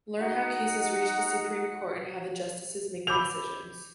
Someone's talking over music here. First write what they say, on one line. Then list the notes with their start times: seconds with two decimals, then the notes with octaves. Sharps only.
Learn how cases reach the Supreme Court and how the justices make their decisions.
0.20 D#4 F#4 D#5 F#5
3.07 B5 D6 E6 G6 F7